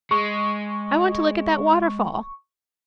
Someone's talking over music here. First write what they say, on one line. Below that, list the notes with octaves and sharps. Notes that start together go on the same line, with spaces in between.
I want to look at that waterfall.
G#3 C#6